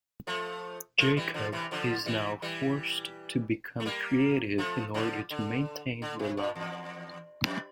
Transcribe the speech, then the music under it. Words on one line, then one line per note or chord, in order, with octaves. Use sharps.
Jacob is now forced to become creative in order to maintain the lie.
F3 A3
F3 A3
E3 G3
D3 F3
C3 E3
D3 F3
E3 G3
E3 G3
A3
G3 A#3
F3 A3
D3 F3
D3
D3
C3
A#2
E2
F2